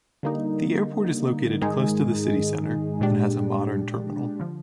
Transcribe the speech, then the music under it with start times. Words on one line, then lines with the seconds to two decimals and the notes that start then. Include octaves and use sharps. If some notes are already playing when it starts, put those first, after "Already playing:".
The airport is located close to the city centre and has a modern terminal.
0.23 D3 G3 A#3 D#4
1.61 G#2 D#3 G#3 D#4 G#4
3.00 A#2 G#3 D4 G4
4.40 D3 F3